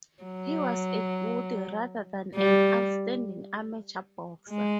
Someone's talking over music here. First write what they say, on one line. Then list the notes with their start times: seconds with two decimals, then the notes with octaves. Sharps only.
He was a good rather than an outstanding amateur boxer.
0.23 F#3
2.36 G3
4.49 G#3